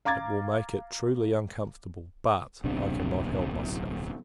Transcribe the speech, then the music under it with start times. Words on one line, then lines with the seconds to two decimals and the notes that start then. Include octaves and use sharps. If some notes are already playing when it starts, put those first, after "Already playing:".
It will make it truly uncomfortable; but, I cannot help myself.
0.05 F5 A#5 D6 G#6 A6
2.64 D1 B1 C3 D4